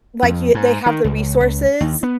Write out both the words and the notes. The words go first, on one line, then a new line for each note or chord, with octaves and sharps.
like you they have the resources
F2
G#2
D#3
C#2
C#2
D#2
B3